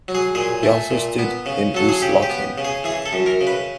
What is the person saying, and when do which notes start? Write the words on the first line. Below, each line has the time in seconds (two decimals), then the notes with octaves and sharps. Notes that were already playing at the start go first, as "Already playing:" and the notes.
He also stood in East Lothian.
0.08 F#3
0.15 G#4
0.35 A#2 G#4
0.63 A3
0.91 A#2
1.19 B3
1.46 C#3
1.75 F#3 A4
1.89 G#4
2.02 C#3 G4
2.22 G4
2.30 B3
2.58 C#3
2.65 G#4
2.84 E3 G#4
3.06 A4
3.13 F#2
3.26 A#4
3.41 C#3
3.47 B4